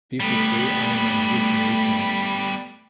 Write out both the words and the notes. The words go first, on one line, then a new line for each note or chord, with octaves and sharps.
People say I'm a good listener.
G3 A3 B3